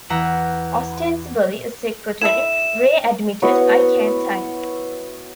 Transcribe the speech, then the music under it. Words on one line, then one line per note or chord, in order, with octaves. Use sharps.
Ostensibly a secretary, Ray admitted: I can't type.
E2 E5 F#5 G5 A#5
E4 A4 E5 E7
B3 E4 F#4 C#5